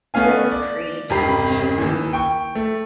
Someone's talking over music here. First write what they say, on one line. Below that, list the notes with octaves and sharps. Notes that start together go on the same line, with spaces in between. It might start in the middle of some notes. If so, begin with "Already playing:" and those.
with preteen
A3 B3 C#4 F5 G#5
D5
E1 G2 G4 A#5 B5 C7
D#2 E3
G5 C#6
A3